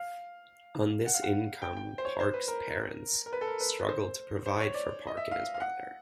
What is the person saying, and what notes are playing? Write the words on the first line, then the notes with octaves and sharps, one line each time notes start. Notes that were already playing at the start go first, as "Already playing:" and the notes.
On this income, Parque's parents struggled to provide for Parque and his brother.
Already playing: F5
F#5
F5
F#5
G5
G5
C5
C#5
C5
B4
A#4
A#4
B4
A4
A#4
B4
B4
C5
C5
C#5
D5
D#5
E5
F5
F5
F#5